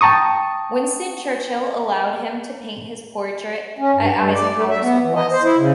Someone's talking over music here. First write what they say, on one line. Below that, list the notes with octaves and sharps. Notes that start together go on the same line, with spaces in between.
Winston Churchill allowed him to paint his portrait at Eisenhower's request.
G5 A5 A#5 C#6 D#6
C#4
G2
G2
D5
A3
E5
B3
E3
D#5
C5
E4
C#3